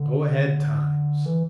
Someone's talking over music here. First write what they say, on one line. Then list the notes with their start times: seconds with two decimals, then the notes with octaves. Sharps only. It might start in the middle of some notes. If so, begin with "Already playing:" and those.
Go-ahead Times!
Already playing: D3
1.26 E3